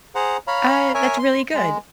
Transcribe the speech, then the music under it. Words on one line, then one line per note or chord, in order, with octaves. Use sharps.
Uh, that's really good.
G#4 C5 F#5 A#5
C#5 F5 A#5 B5
A#4 C#5 E5 G#5
C6
G#3